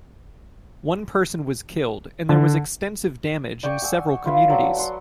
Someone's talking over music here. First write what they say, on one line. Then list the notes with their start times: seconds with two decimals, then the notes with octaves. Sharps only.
One person was killed and there was extensive damage in several communities.
2.29 D3
3.63 D5 G5 C#6
3.82 F#5 G#5 E6
4.26 F4 B4 E5 F5
4.50 F#3 A4 D6
4.77 F#5 C6 C#6